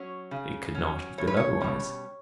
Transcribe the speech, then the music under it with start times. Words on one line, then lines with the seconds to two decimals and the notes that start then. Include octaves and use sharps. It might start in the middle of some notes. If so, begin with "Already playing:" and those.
It could not have been otherwise.
Already playing: F#3 C#4 C#5
0.31 C#3
0.75 F#3 C#4
1.18 E2 C#5
1.27 B4
1.37 C#5
1.61 B2 G3 C#4